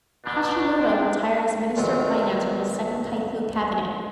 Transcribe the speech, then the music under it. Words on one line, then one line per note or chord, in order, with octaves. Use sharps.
Hashimoto retired as Minister of Finance from the Second Kaifu Cabinet.
B2 D4
C4 D4
E2 A#2 D3 D#3 F#3